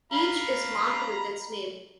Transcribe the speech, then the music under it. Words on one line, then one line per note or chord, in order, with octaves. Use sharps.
Each is marked with its name.
F5 A#5 B5